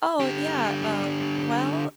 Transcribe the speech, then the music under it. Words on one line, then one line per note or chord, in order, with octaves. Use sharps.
Oh, yeah, um, well,
D3 G4